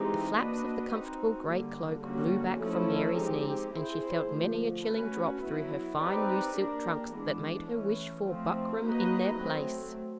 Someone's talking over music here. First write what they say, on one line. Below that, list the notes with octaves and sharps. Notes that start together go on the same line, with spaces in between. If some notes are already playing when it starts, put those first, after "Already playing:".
The flaps of the comfortable great cloak blew back from Mary's knees, and she felt many a chilling drop through her fine new silk trunks that made her wish for buckram in their place.
Already playing: E3 G#3 C4 D#4 G4
A#3 D4 F#4 B4 D#5
C4 D#4 F#4
D3 G3 A#3
D3 G3 A#3 C#4 F#4
F3 A3 C#4 E4 A4
G#3 C4 D#4 G4
C4 E4 G#4 C5
D3 F3 A3
A3 C#4 F#4 B4
F#3 B3 E4
C4 D#4 G4 B4 D5
A#3 D4 G4 A#4
E3 G#3 B3 D4
E3 A3 C#4
F3 A3 C4
A#3 D#4 F#4 B4 D#5
F#3 A3 C4